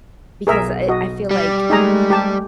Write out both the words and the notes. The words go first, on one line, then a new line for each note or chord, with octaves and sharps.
because, uh, eh, I feel, like,
B1 G#4 A#4 E5
F#4 D#5
G3
G#3 A3 D#4 G#4 A#5
G4 A5